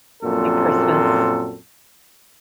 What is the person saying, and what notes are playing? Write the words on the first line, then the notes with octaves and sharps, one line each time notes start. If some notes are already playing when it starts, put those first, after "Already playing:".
At Christmas.
A#1 F#2 A#2 C4 A4